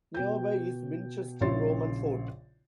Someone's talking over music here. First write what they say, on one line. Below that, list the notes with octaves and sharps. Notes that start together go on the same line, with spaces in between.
Nearby is Binchester Roman Fort.
B2 G5 G6
A#1 C#3 E4 C#5 C6 A6